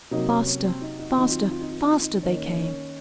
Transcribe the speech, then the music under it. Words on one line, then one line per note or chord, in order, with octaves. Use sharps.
Faster, faster, faster, they came.
C3 F#3 A#3 D#4
C#4
C#4
C4
D#4
D#4
F4
D#3 F#3 C4 D#4
F4
D#4
F4
D#4
F4
D#4
F4
D#4
D#3 A#3 C#4
C#4
D#4
C#4
D#4
C#4